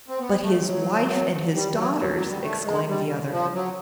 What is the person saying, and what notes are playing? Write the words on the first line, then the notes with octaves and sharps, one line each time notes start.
"But his wife and his daughters!" exclaimed the other.
C4
B3
A3
F#3
G3
F#3
F#3
F#3
G3
A3
G#3
G3
F3
F#3